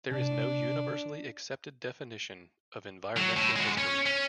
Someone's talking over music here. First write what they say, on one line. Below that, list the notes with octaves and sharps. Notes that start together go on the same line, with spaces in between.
There is no universally accepted definition of environmental history.
C3 D4
F#3
A2
G#3 F#4
C#4 C#5
C#4